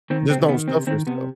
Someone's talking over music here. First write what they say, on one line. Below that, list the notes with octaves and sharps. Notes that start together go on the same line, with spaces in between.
just don't stuff yourself,
D#3 C4
C3 C4
D#3 B3
C3 C4
D#3 C4
C3 B3